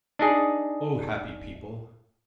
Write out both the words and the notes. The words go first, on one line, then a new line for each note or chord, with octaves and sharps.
O happy people!
D4 D#4 G#4